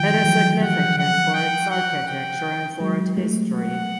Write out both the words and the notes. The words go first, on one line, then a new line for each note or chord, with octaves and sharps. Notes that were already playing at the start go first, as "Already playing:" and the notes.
It is significant for its architecture and for it history.
Already playing: D#3 F3 G5
E3 F#3
F3 G3 F#5
F#5
G5
F#5
G5
F#3 G#3
G3 A3
F#5